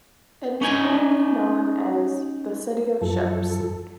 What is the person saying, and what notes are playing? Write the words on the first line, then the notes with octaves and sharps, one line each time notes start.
It is commonly known as The City of Ships.
C#4 D#4 G#5
F#2 F3 A4